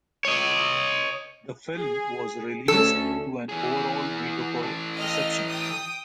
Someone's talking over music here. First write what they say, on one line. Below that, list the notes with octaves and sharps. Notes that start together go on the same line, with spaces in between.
The film was released to an overall mediocre reception.
C#5 D#5
G#4
D2 C#4 A4
E3 G#4
E3 A4
D#5 G5 F6
G5 D#6